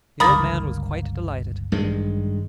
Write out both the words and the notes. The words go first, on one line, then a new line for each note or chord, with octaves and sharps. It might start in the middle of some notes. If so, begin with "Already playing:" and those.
The old man was quite delighted.
G1 C#2 G2 A#3 B5 D#6 A6
A1 G2 D#3 G#3